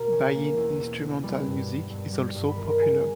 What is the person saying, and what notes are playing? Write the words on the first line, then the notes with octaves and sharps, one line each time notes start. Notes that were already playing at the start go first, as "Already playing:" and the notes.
Bayin instrumental music is also popular.
Already playing: B2 A#4 A#5
C#4
A#3
E2
B2
C#4
G3 B4 B5
G2
B3
G2
G3
G2
B5
D#3 A#4 A#5
A#5
B3 G#4 G#5